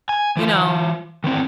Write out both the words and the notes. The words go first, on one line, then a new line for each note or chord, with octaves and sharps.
you know,
G#5
E3 F4
D#3 E3 C4